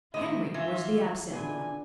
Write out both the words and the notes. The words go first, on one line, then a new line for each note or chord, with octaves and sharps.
Henry was the absent one.
G#2 C3 D#3 A3 E4 D#5
E3 F4 E5
A#2 B3 D4 E4 G#4 G#5